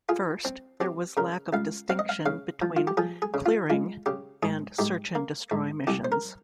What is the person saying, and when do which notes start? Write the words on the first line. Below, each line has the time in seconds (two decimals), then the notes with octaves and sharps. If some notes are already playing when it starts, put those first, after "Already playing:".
First, there was lack of distinction between "clearing" and search and destroy missions.
0.09 F4 G#4
0.45 C4
0.81 C4 G4
1.17 C#3 A#4
1.53 C#2 F5
1.90 C4 F5
1.99 D#5
2.09 F5
2.26 C#3 F5
2.62 F3
2.77 F4
2.87 G4
2.97 F3 G#4
3.22 G#4
3.34 C#3
3.46 F4
3.70 G#3 F4
4.06 C#3 G4
4.43 G#2 G#4
4.79 G#2 G4
5.15 A#3
5.51 G#2
5.87 C2 G4
6.05 C5
6.12 A#4